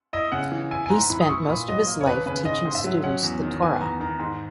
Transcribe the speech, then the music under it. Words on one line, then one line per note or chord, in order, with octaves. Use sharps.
He spent most of his life teaching students the Torah.
E4 D#5
C#3 F#5
E3
E4 G#5
G#5
G#2 A#5
E3 B5
D#6
E4 C#6
A#2 B5
F#3 D#5
A#3
C#5
D#2 B4
C#3 B4
G#2 D#5
G#2
E5
F#3
C#4 F#5
E2
D#3
B3 G#5
E2 A#5
D#3 A#5
G#2